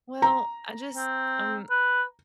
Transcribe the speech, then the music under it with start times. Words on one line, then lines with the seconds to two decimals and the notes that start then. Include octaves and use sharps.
"Well, I just I'm
0.22 A#5
0.95 C4
1.70 B4